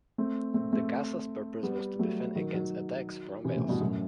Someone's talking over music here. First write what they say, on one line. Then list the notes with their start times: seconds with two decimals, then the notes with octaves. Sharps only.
The castle's purpose was to defend against attacks from Wales.
0.18 A3 C4
0.54 A3 C4
0.72 A3 C4
1.63 G3 B3
1.99 F#3 A3
2.35 D#3 F#3
2.54 D#3 F#3
3.44 C3 E3
3.57 A2 C3
3.69 G2 B2
3.81 F#2 A2